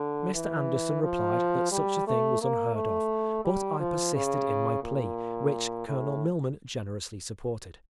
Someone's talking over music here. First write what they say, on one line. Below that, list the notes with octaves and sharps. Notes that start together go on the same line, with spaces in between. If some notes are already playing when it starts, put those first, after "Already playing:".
Mr. Anderson replied that such a thing was unheard of, but I persisted in my plea, which Colonel Milman generously supported.
Already playing: D3
E3
F3
G3
A3
A#3
A3
G3
F3
C#3
A#2
A2